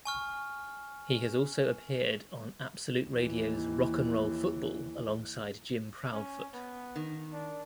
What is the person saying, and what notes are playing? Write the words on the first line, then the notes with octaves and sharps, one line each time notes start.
He has also appeared on Absolute Radio's Rock'n'Roll Football alongside Jim Proudfoot.
G#5 C#6 F6
D#2 E3
C#4
B3
D#3
D4